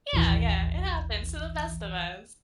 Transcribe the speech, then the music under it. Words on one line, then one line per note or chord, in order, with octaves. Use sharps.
Yeah, yeah, it happens to the best of us.
A1 D#2 E3